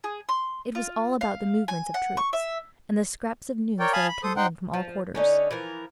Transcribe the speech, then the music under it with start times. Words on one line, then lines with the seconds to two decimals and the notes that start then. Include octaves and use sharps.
It was all about the movements of troops, and the scraps of news that had come in from all quarters.
0.04 G#4
0.29 C6
0.75 F4
1.21 F5
1.68 G#5
1.94 F#5
2.17 C#6
2.33 E5
3.80 A#4 C#5 D5 G5
3.93 F5 G#5 A5 B5 D#6 F6
4.08 B5
4.23 A4 C5 D#6
4.37 D#4 C5 F#5 G5
4.74 F3
5.15 D3 C#4 D#4
5.51 E3 F3 A#4